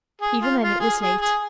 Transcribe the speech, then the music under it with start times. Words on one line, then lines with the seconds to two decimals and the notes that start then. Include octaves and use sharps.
Even then it was late.
0.21 G#4
0.42 F4
0.62 F4
0.80 G#4
1.01 G#4
1.21 G#4